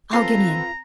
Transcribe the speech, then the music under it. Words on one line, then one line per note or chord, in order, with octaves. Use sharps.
I'll get in.
C4 F4 A4 B4 A#5